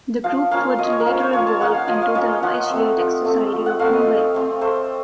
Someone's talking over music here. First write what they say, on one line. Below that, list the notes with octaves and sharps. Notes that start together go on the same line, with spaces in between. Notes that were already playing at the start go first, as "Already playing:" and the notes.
The group would later evolve into the Asiatic Society of Mumbai.
F3 F5
A#3 C#4 F4 F5
F3 D#5
C#5
A#4
A#3 C#4 F4 C5
C#5
F3 C#5
A5
A#3 C#4 F4 F#5
F5
F3 D#5
F5
A#3 C#4 F4 C#5
F3 F#5
A3 C4
F3
A3 C4
F3
F#5
A3 C4 F5
D#5
F3
A3 C4
A3 C5